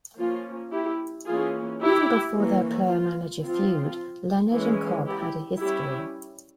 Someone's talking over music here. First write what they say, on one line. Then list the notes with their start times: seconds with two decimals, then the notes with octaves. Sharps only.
Even before their player-manager feud, Leonard and Cobb had a history.
0.18 F3 A#3 C#4 F4
0.72 E4 G4
1.26 E3 A#3 C#4 F4 G#4
1.80 E4 G4
2.35 E3 A#3 C#4
2.88 F4
3.42 F3 C4 F4
4.51 E3 G#3 C#4
5.05 E4 G4
5.60 G3 C#4 E4 G4